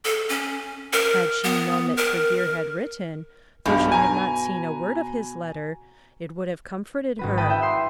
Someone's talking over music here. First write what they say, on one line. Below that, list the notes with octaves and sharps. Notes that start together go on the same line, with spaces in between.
Had she known that Tregear had written, though she had not seen a word of his letter, it would have comforted her.
A4
C#4
A#4
B3
A#4
B1 G2 B2
G#5 A#5
G#1 F#4 B4
F#5 G5 A5 B5 D#6
E4 E5 G5
C6 E6